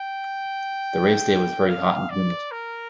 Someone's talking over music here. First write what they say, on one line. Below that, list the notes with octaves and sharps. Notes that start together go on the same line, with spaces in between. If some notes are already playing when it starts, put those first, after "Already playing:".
The race day was very hot and humid.
Already playing: G5
F5
D5
A#4